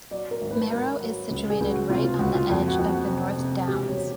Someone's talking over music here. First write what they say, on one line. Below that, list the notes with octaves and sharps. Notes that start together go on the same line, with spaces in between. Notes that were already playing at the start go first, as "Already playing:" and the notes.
Merrow is situated right on the edge of the North Downs.
F#3 D5
A#4
G#1
B4
G#1 A#4
F#3
C#2
G#4
C#2
F#4
C3 F4
F4
C#2 F#4
F4
F2 F#4
F#4
F2
F#4
C3
C3
E1 G4
C#5
F#3